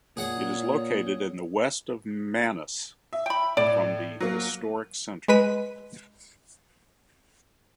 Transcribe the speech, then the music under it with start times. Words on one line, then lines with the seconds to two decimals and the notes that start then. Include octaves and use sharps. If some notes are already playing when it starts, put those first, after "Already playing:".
It is located in the west of Manaus, from the historic center.
0.17 A#2 G#4 C#5 F#5 G#5
3.13 E5
3.26 G5 B5
3.57 A2 D5
4.20 F#3 A#3
5.28 G#3 B4 B6 D#7